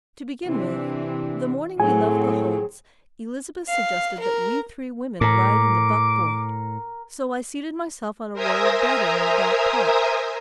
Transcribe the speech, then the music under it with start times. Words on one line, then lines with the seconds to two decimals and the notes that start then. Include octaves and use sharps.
To begin with, the morning we left the Holts, Elizabeth suggested that we three women ride in the buckboard, so I seated myself on a roll of bedding in the back part.
0.48 C3 E3 C4 D4
1.80 A2 F#3 C4 G#4 G#5
3.69 F5
4.20 A#4
5.21 A2 A#4 A#5 D6
8.33 A#4 C5 E5 G#5 A#5 D#6